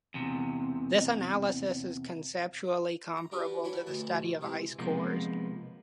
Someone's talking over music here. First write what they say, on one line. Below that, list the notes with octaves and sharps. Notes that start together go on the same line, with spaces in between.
This analysis is conceptually comparable to the study of ice cores.
E2 C3
A#5
D4 F#4 G4 A#4 B4
E3 D4 F#4 C#5 B5
D2 B2 A#4 A5
A#1
C3 E3 G#3
C3 F3 G#3 A#3 B3